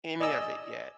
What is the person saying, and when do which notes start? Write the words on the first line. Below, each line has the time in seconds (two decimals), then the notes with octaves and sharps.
any of it yet,
0.20 D5 D#5 G#5 E6